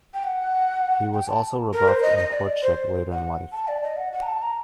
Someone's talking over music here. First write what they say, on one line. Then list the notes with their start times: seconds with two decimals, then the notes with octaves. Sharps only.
He was also rebuffed in courtship later in life.
0.14 G5
0.24 F#5
1.13 G5
1.28 A5
1.73 A#4
1.88 C5
2.02 D#5
2.18 D#5
2.33 D5
2.63 C5
3.12 F#5
3.52 A5
3.68 D5
3.83 D#5
3.97 F#5
4.13 F#5
4.22 A#5
4.27 A5
4.42 A#5